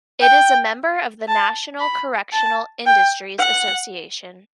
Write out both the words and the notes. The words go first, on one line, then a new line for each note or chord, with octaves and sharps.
It is a member of the National Correctional Industries Association.
G5
A5
B5
A5
G5
F#5